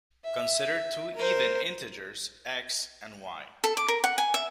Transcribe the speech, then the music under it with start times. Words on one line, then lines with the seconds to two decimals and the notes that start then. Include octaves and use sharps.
Consider two even integers "x" and "y".
0.24 E5
1.15 A#4 C5
3.64 A4
3.77 D6
3.88 A#4
4.04 F#5
4.18 G#5
4.34 E5